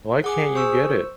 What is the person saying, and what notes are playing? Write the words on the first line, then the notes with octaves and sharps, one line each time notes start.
Why can't you get it?
G#4 F#5 D6
C5 C#6 E6